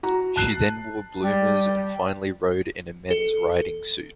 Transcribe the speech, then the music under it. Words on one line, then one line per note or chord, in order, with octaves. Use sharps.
She then wore bloomers and finally rode in a men's riding suit.
F#4 A#5
A5 F#6 C7
G3
A4